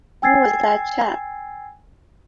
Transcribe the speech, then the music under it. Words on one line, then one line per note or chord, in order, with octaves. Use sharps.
Who was that chap?
G5 G#5 E6 G#6 A6 C7